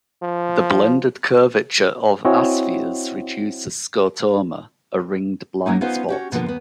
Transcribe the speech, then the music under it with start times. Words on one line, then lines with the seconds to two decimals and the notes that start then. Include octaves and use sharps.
The blended curvature of aspheres reduces scotoma, a ringed blind spot.
0.22 F3
2.25 C4 E4 F#4 C#5 D#5 G#5
5.66 F#3 A#3 C#4 D#4
5.81 B3 C#4 D#4 F4 B4 C5
6.09 C#4 F#4 G4
6.32 B2 D3 F3 A#3 B3 F4
6.46 D#2 B3